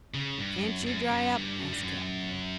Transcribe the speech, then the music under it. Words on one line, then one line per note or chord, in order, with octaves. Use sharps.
"Can't you dry up?" asked Cap'n Bill.
C#3
G2
F#2
F#2
F2
F#2
G2
F#2
G2
F#2